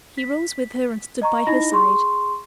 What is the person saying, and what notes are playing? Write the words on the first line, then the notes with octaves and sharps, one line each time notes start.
He rose with her, and stood by her side.
B6
D#5 A#5 C#6
D#4 E4 D#5 B5 A#6
G#4 C6 C#6